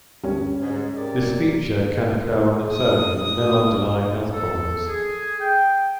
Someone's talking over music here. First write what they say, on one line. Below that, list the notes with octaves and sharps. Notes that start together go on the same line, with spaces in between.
This feature can occur on its own, with no underlying health problems.
D2 G2 C#4
G#2
C3 A#4 D5
D#6
A4
G#4
G5